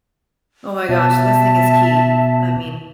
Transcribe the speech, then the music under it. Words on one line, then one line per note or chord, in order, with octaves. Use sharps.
Oh my gosh, listening is key. I mean,
B2 E5 A5